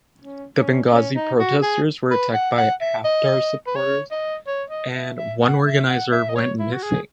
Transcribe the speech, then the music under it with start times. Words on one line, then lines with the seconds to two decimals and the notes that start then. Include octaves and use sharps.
The Benghazi protestors were attacked by Haftar supporters and one organiser went missing.
0.21 C#4
0.57 C#4
0.93 C#4
1.16 D#4
1.40 F#4
1.63 G#4
2.11 B4
2.34 F#5
2.58 F#5
2.81 E5
3.05 D#5
3.67 B4
3.76 C#5
4.11 D#5
4.47 C#5
4.70 D#5
4.94 E5
5.18 E5
5.41 F#5
5.65 E5
5.88 F#5
6.12 E5
6.29 D#5
6.36 C#5
6.59 E4
6.73 F#4
6.83 G#4